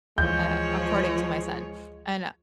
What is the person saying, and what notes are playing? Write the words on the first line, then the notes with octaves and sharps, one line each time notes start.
uh- according to my son- and I
D2 E3 F3 G#3 C#5 G6